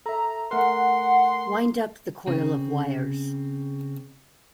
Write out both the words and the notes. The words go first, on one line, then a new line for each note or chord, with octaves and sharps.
Wind up the coil of wires.
A4 E5 A#5
A3 A#4 F#5 C6
C#3 C4